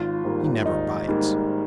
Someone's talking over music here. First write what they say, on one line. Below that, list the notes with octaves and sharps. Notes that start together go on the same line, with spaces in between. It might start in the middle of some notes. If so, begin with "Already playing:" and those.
"He never bites."
Already playing: G#1 F4
G#2 G3 A#3
G#1 D#4
G#2 G3 A#3